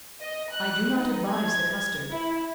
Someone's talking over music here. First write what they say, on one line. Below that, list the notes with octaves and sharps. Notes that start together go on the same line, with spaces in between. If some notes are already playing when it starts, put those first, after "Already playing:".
I do not advise the custard.
D#5
F#6
D#4
G#6
E4